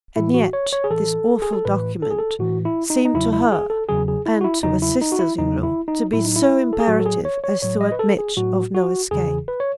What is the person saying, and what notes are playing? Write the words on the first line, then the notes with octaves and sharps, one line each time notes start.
And yet this awful document seemed to her and to her sisters-in-law to be so imperative as to admit of no escape.
A2 E3 E4
F#4
C#5
C#5
G#4
A2 E3 A4
G#4
A4
A2 E3 B4
A4
G#4
A4
A2 E3 F#4
E4
D#4
D#4
E2 C#3 F#3 E4
E4
G#4
A4
E2 C#3 F#3 G#4
G#4
E4
F#4
E4
E2 C#3 F#3 D#4
E4
D#4
F#4
E4
E2 C#3 F#3 D#4
E4
D#4
A2 F#3 E4
D#4
E4
A4
G#4
A2 F#3 F#4
A4
G#4
C#5
C#5
A2 F#3 C#5
D#5
B4
A4
G#4
A2 F#3 F#4
F#4
E2 C#3 E3 G#4
B4
C#5